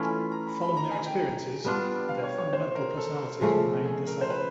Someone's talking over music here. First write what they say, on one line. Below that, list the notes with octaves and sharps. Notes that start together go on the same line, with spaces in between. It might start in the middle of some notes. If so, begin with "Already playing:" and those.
Following their experiences, their fundamental personalities remained the same.
Already playing: E3 A3 C#4 F4 B5
A#5
B5
B5
A#5
G#5
G5
G3 B3 D4 F4
F5
C#5
C#5
C5
A#4
A4
C#3 F3 A3
G#4
A#4
C5
B4